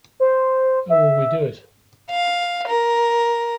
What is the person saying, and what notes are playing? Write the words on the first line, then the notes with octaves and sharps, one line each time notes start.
How will we do it?
C5
E5
F5
A#4